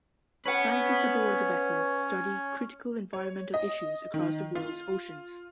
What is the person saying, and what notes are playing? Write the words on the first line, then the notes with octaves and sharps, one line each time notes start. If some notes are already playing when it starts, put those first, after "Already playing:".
Scientists aboard the vessel study critical environmental issues across the world's oceans.
C#4 B4 C#5 F#5
C#5
D#5
D#3
F4